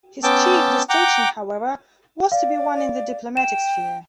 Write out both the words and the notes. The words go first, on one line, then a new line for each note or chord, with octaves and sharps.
His chief distinction, however, was to be won in the diplomatic sphere.
B3 C#4 G5 A5 D6 E6
F#5 G5 A#5 D6
D5 F5
G5 E7